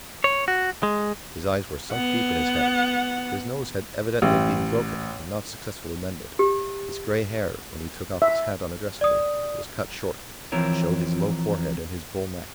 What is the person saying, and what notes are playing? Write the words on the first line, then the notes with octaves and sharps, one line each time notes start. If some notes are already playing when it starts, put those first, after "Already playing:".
His eyes were sunk deep in his head; his nose had evidently been broken and not successfully mended; his grey hair, when he took off his hat on addressing me, was cut short, and showed his low forehead and his bull neck.
C#5
F#4
G#3
B3 F#5
A1
G4
E5
D5 D#6
E3 F3 C4 E4 A#4 C#5